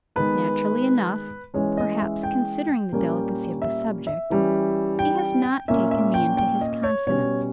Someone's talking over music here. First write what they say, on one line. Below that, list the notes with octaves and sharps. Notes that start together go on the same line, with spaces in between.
Naturally enough, perhaps, considering the delicacy of the subject, he has not taken me into his confidence.
D#3 G#3 B3 B4
E3 G#3 C#4 C#5
D#5
E5
G5
A#2 G3 A#3 C#4
E5
E5
E3 G3 C#4
G5
A#2 A#3 C#4 E5
E5
G5
G5
D#5
C#5
B2 G3 C#4 C#5